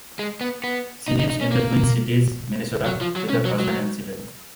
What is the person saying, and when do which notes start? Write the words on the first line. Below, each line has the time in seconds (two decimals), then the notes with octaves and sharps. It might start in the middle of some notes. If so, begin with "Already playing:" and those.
She lives in the Twin Cities, Minnesota, with her husband and children.
0.19 G#3
0.41 B3
0.64 B3
1.08 D#4
1.19 D#4
1.30 D#4
1.41 C#4
1.52 A#3
2.86 F#3
3.01 F3
3.16 F#3
3.30 C#4
3.45 F#3
3.60 F#3